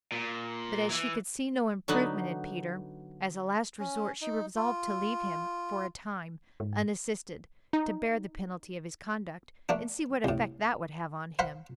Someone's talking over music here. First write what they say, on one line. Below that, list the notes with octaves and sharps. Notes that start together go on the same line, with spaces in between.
But as she could see no improvement in Peter, as a last resort, she resolved to leave him, for a time, unassisted, to bear the penalty of his conduct, and see what effect that would have on him.
A#2
E3
D3 F#3 B3 D#4 B4
C#4
D#4
F4
G#2
D#4
A3 A#3 D4
C2 A2
C5 F5 F#5 B5